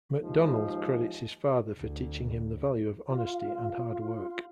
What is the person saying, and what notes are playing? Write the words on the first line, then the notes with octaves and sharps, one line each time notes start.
McDonald credits his father for teaching him the value of honesty and hard work.
D#2 G#2 F3 G#3
D2
F4